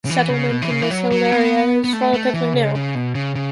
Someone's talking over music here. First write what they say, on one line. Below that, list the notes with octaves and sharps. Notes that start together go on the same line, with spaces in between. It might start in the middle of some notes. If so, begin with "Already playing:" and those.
Settlement in this hilled area is relatively new.
C#3
E3
C#3
B2
E3
C#3
E3
F#3
F#3
B3
B3
A3
A3
E3
C#3
C#3
B2
C#3
C#3